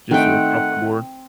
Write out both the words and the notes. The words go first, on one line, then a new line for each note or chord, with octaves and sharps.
Just across the board?
D#3 A3 C4 D#4 F#5 G5